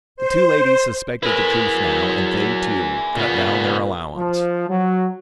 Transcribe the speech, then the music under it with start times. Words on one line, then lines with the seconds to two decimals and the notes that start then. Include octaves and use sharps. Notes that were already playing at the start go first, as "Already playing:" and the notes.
The two ladies suspected the truth now and they, too, cut down their allowance.
0.17 C5
1.23 A2 E4 G#4 A#4 B4
1.75 F#3
3.16 A#2 C#3 B3
4.16 F3
4.69 F#3